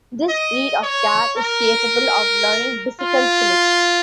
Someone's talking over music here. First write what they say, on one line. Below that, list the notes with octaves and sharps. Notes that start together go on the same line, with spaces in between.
This breed of cat is capable of learning difficult tricks.
D#5
C#5
A#4
F4